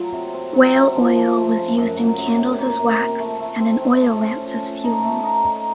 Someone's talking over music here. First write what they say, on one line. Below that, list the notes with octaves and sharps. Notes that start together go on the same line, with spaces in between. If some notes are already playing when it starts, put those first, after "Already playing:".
Whale oil was used in candles as wax, and in oil lamps as fuel.
Already playing: F#3 A3 F4
C3
C4
F#3
C3
F3
F3
A3
C#3
F#2
F#3
F#2
C3
A#3
C3
C3
A3
A3
C4
C4
A3
C#4
A4
A4
D#4
A3
D#4
D#4